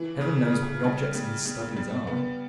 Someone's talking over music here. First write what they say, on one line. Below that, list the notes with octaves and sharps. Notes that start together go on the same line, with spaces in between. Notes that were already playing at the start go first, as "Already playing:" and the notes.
Heaven knows what the objects of his studies are.
Already playing: E3
C#3
C#3
G3
G3
G3
G3
B3